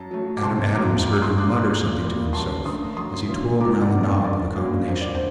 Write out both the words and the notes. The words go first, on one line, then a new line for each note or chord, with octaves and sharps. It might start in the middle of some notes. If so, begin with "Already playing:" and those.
Adam Adams heard him mutter something to himself as he twirled around the knob of the combination.
Already playing: F#2 A5
F#3 A3
D6
C3 A5 C6
F#3 A#3 A#5 D6
A#2 A#5 D6
C6 D#6
A3 D6 F#6
C6 D#6
A#2
G3 A#3
F#2 A5 C6
D3 A3 C6 D#6
F#2 C6 D#6
D3 F#3 A#3
C3 A#5 D6
D5 F#5
G3 A#3
D5
G2 D5
F#3 A#3
G2 C5
D5
C5